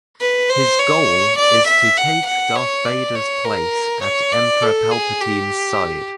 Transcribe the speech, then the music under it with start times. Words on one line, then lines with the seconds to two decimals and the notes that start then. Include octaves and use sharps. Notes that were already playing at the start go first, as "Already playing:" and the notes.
His goal is to take Darth Vader's place at Emperor Palpatine's side.
0.20 B4
0.50 C5
0.79 C#5
1.38 D5
1.67 E5
1.97 F#5
2.27 F#5
2.56 C#5
2.85 D5
3.15 C#5
3.44 A#4
4.02 C#5
4.32 D5
4.62 A4
4.91 G#4
5.21 G4